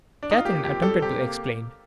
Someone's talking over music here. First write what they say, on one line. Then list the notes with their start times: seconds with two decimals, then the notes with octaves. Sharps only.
Catherine attempted to explain.
0.23 D4
0.31 D#4
0.38 F4
0.45 A#3 G4
0.64 F2 G4
0.82 G3 A4
1.01 C3 G4
1.21 A#3